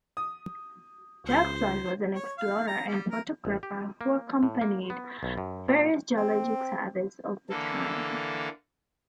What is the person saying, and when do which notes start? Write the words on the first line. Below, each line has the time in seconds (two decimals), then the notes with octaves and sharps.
Jackson was an explorer and photographer who accompanied various geologic surveys of the time.
0.17 D#6
1.26 C#2 C5
2.15 C#5
2.38 F5
2.67 A#5
2.87 G3
3.11 A#4
3.45 A1
3.63 G4
4.01 A#3
4.43 A2
4.61 A#3
4.90 B3
5.23 B1
5.38 F#2
5.68 A#2
6.17 C4
7.50 D3 E3 A#3 A4